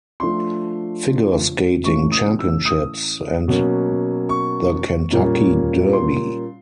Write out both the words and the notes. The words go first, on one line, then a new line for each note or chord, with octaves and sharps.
Figure Skating Championships and The Kentucky Derby.
F3 A3 D4 F4 C6
A2 E3 A3 C#4 C#6
D#6
E6
D#6
B2 F#3 A#3 C#4
C#6
A#2 G3 A#3 C#4 F4
C6